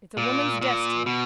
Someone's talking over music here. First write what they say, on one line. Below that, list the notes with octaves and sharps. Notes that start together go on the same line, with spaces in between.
It's a woman's destiny.
A#2
A#2
B2